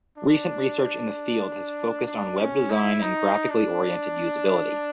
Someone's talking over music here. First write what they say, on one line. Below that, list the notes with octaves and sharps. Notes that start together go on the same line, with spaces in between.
Recent research in the field has focused on web design and graphically-oriented usability.
D4
D4
C#4
E4
D#4
D4